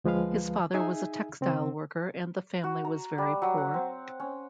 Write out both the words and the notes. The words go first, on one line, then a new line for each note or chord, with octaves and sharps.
His father was a textile worker and the family was very poor.
D2 F3 G#3 B4 F5
D#4 G#4 E5 G#5
C#3 C4
F#4
A#5
G3
F#3
F#5
C4
C#4